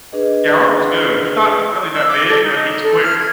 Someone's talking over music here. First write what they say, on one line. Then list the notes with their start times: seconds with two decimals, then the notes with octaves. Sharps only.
Yeah, Arnold's good. He's not really that big, but he's quick.
0.12 D4 G#4 B4 D#5
1.94 E6
2.08 D6
2.29 A4
2.43 D#4
2.83 A4
3.03 F6
3.19 G#6